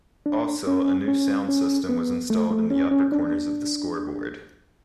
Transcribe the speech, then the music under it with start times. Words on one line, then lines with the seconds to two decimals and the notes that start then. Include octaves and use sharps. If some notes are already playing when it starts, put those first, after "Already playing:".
Also, a new sound system was installed in the upper corners of the scoreboard.
0.26 D4
0.67 C#4
1.08 C#4
1.49 C#4
1.89 B3
2.30 A3
2.50 A3
2.71 C#4
2.91 C#4
3.12 D4